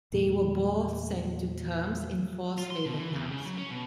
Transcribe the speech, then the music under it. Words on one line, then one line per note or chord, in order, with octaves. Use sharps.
They were both sent to terms in forced labor camps.
E2 A#2 G#3 A3
F4
C6
B2
E3
E2
C#3
F#3
C#4
B2